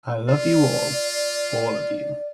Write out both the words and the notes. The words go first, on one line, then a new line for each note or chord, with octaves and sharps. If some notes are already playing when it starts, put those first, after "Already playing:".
I love you all, all of you.
F4 D5